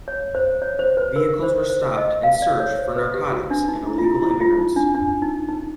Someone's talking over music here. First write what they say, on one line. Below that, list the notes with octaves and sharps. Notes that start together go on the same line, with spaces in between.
Vehicles were stopped and searched for narcotics and illegal immigrants.
C#5
C5
C#5
C5
B4
A#4
C5
C5
D#5
F5
D5
C#5
C5
B4
G4
F#4
D4
D#4
E4
F4
E4
E4
F4
D#4
D4
D4
D#4
D#4